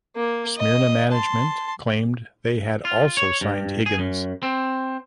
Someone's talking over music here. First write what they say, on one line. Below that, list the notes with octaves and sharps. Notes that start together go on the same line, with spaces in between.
Smyrna management claimed they had also signed Higgins.
A#3
D#5
A5 C6
F4
C#5
G2
G#4
F#2
C4